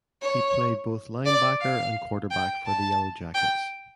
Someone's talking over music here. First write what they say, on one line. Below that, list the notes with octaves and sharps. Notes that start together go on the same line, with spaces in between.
He played both linebacker and quarterback for the Yellowjackets.
C#5
D5
F5
G5
A5
G5